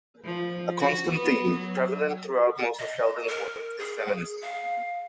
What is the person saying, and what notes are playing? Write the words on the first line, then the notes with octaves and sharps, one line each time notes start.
A constant theme, prevalent throughout most of Sheldon's work, is feminism.
F3
F#4
B3
F#3
D#5
A#4
G#4
F5